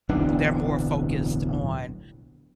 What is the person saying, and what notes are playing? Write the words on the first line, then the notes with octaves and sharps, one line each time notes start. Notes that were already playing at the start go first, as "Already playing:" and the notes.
they're more focused on,
D1 B1 E3 D4